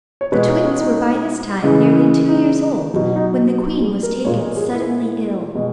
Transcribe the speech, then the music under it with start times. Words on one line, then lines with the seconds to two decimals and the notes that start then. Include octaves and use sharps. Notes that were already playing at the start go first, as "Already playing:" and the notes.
The twins were by this time nearly two years old, when the queen was taken suddenly ill.
0.21 C#5
0.32 B2 G#3 B4
0.49 D#4
0.65 C#4
0.81 D#4
1.62 C#3 E3 G#3
2.28 D#4
2.94 B2 F#3 D#4
3.16 D#4
3.59 F#4
3.81 G#4
4.03 A#4
4.25 A#2 G#3 C#5
4.41 A#4
4.57 G#4
4.73 E4
5.55 B2 G#3